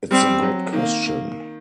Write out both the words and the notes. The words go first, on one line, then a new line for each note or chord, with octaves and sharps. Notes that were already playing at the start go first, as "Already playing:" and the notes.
It's a good question.
G3 C4
F#3
D#3 A#3